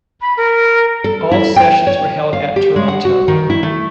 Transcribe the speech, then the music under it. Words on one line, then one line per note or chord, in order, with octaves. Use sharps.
All sessions were held at Toronto.
B5
A#4
A4
E4
G5
C#5
F5
G4
G#3
F#5
F#4
D#3
E4
A3